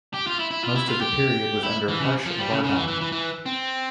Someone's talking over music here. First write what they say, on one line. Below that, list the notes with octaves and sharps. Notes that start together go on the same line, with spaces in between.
Most of the period was under Harsh Vardhan.
G4
F4
E4
E4
F4
E4
F4
G4
E4
E3
C#3
F3
G3
C#3
C#3
E3
E3
E3
E3
C4